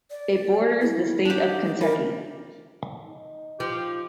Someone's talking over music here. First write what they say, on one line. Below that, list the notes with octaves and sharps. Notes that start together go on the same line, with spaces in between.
It borders the state of Kentucky.
D5
E4
D4 D#4 G4
G3 A#4
D#4
F3 G4